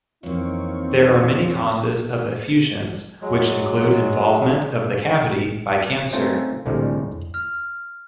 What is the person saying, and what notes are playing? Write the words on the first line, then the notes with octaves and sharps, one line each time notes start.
There are many causes of effusions which include involvement of the cavity by cancer.
F2 E3 A#3 C4 D#4 F4 C#5
F#3 G#3
A3 C4 C#4 D#4 F4 A4
C2 A2 D3 F3 G3 G#3
F6